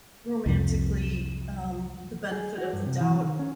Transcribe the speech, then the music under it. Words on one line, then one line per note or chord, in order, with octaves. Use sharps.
romantically, um, the benefit of the doubt.
C2 F2
G#4
F#4
G2
C3
E3
D#3
C#4